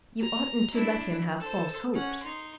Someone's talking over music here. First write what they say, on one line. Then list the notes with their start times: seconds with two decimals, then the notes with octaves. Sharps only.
"You oughtn't to let him have false hopes."
0.20 A#5
0.73 D4 E4
1.40 A4 C5
1.93 C#4 F#5
2.22 D#4 C6